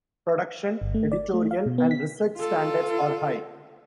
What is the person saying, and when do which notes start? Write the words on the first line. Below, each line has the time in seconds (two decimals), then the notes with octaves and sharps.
Production, editorial and research standards are high.
0.81 G1
0.94 A3
1.12 D5
1.34 A3
1.51 F5
1.66 B2
1.78 B3
1.91 B6
2.37 F4 A4